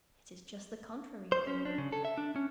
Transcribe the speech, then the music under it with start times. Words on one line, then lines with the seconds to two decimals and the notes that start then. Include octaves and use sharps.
'It is just the contrary, my lord!
1.32 C5
1.47 C#4
1.65 D4
1.78 C#3
1.92 A4
2.05 E5
2.18 D4
2.36 C#4